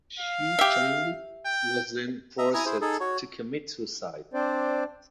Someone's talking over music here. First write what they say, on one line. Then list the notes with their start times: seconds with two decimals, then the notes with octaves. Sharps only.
Shi Chong was then forced to commit suicide.
0.19 F5
0.59 G4 E5
1.45 G5
2.38 D#5 E5 A#5
2.54 E4 G#5 A#5 D#6
2.66 E4 G#4 C5
2.81 D#4 G#4 A4
3.00 F#4 C#5
4.34 C4 D4 C5 D5